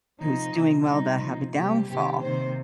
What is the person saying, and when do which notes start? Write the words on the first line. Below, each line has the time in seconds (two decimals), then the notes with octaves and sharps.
who's doing well to have a downfall."
0.19 C3 F3 A#3 D#4
0.53 C3 F3 A#3
0.86 C3 G3 A#3 D#4
1.20 C3 F3 A#3
1.54 C3 G3 A#3 G4
1.88 C3 D#3 A#3 G4
2.21 C3 D#3 A#3 C5